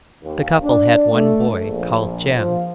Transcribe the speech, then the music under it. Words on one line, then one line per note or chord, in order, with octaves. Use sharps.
The couple had one boy called Jem.
D#2
D4
A3
A#1
F3